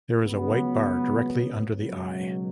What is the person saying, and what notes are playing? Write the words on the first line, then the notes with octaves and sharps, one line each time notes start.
There is a white bar directly under the eye.
C#2 C#3 F#3 B3
C#2 B2 F#3